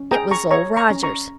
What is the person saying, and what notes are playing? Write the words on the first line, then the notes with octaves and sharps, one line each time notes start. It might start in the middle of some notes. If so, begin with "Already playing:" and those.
It was Old Rogers.
Already playing: C#4
G#4 G5 A#5
A#5 C#6
C#5 A#5 C#6
A#5 C#6
C#4
A#5 C#6